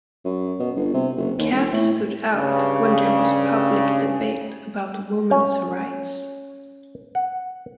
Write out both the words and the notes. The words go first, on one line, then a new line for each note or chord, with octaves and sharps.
Canth stood out when there was public debate about women's rights.
F#2
B2
G1
C3
F#1
D#2
E1
A2
G2 C#3
C#4
F#5